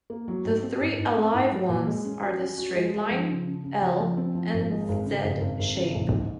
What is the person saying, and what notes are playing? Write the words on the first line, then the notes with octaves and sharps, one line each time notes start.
The three alive ones are the straight line, L and Z shape.
A#3
F#3
G#2
C4
G#2
G#2
C4
G#2
F#3
A#2
G#3
C#4
F#4
C#4
F#4
G#3
G#3
F3
C#3
C#3
C#3
F3
F3
C4
F3
G#1
G#3
G#1
C#3
G#1
G#1
G#1
C#3
A#1
G#2